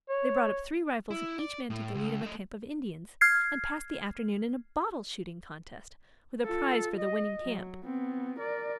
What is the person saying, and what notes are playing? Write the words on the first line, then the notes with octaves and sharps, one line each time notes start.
They brought up three rifles, and each man took the lead of a camp of Indians, and passed the afternoon in a bottle shooting contest, with a prize for the winning camp.
C#5
E4
D5
A2
C#2
A3 D#5
F6 G#6 C7
F4 A4
D#5
F#3
B3 C4
A#4 D5